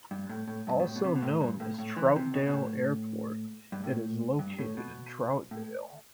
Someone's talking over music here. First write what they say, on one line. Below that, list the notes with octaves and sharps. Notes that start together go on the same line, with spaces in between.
Also known as Troutdale Airport, it is located in Troutdale.
G2
A2
A2
G2
B2
A2
B2
C3
B2
A2
G2
A2
A2
E3
C3
B2
B2
A2
G2
A2
G2
A2
B2
A2